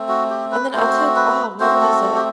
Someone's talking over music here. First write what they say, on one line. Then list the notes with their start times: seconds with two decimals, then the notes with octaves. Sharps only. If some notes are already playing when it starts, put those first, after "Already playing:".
And then I took Oh, what was it?
Already playing: A3 C4
0.09 F#4
0.30 G4
0.52 B4
0.74 A3 C4 F#4 C5
1.16 B4
1.59 A3 C4 F#4 C5
1.81 A4
2.02 A4
2.16 G4